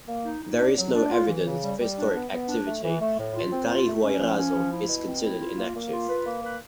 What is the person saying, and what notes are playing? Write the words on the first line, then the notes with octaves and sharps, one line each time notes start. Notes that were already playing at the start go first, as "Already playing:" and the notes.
There is no evidence of historic activity and Carihuayrazo is considered inactive.
A#3
D#4
D#4
D4
F#3
D4
F4
E3
C#3
G3
G3
D4
B3
B3
D4
A3
E3
A3
A2
F4
C4
F4
A3
C#4
F3
C#4
F3
E4
B2
C4
E4
F4
A#3
A#3
F4
B4
A#3
B4